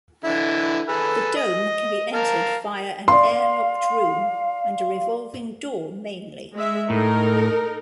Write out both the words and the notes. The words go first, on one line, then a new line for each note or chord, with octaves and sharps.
The dome can be entered via an air-locked room and a revolving door mainly.
D3 E3 E4
G#4 A4 B4
D#5
A#4 F5 A5
D5 F5 C6
G#3 E5
A2 D#4 A4 A#4